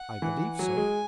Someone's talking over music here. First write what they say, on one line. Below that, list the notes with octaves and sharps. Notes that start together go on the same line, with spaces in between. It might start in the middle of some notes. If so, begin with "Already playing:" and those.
"I believe so."
Already playing: F#5
E3
F#3 G#5
G#3